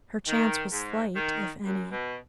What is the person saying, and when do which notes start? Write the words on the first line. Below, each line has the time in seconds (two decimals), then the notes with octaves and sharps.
Her chance was slight, if any.
0.27 D#3
0.71 G#2
1.15 D#3
1.64 F#2
1.91 B2